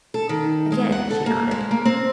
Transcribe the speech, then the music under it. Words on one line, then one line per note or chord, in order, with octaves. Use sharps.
Again she nodded.
A4
D#3
G#3
F#5
A4
A#3
G#3
A#3
C4